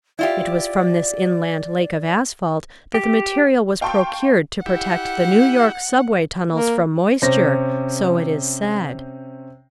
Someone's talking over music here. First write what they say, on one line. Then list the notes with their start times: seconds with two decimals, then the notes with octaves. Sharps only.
It was from this inland lake of asphalt that the material was procured to protect the New York subway tunnels from moisture, so it is said.
0.19 E4 F4 G4 D5
2.94 G4
3.81 F5 G5 A5 C6 C#6
4.66 E4 G4 F#5
6.52 A#3
7.22 C3 C#4 C5 A#6